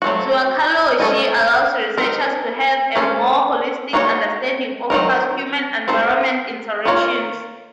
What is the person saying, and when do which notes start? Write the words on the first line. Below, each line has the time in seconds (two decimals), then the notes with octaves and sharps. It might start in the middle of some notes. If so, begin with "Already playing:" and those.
Zooarchaeology allows researchers to have a more holistic understanding of past human-environment interactions.
0.02 F#3 A3 C4 F#4
1.00 A3 C#4 A4 D#5
1.97 C4 D#4 A#4
2.96 A#3 C#4 A4 C5
3.93 A#3 D#4 F#4 A#4 C#5
4.90 D#3 F#3 C4 D#4 A#4
5.88 C4 D#4 A4 C5
6.85 D#3 A#3 F4 A#4 C#5